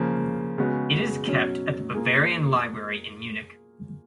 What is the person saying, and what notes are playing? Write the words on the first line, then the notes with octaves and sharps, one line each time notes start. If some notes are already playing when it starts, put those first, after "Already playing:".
It is kept at the Bavarian library in Munich.
Already playing: C#3 F3 A#3
C#3 G#3 B3 F#4
B2 F#3 C#4
A#3 F4 G#4